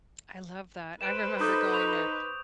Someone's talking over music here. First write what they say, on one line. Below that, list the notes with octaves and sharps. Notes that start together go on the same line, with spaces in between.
I love that. I remember going to,
B4 C5 F#6 D7 E7
D#4 A4 D6 D#6 G6
C#6 G6 F7